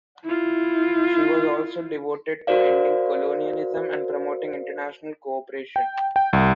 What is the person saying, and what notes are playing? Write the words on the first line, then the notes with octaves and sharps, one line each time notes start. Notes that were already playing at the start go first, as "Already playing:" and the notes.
She was also devoted to ending colonialism and promoting international cooperation.
E4 F4
F#4 A#4 C5 D5 F5
G5
G5
C2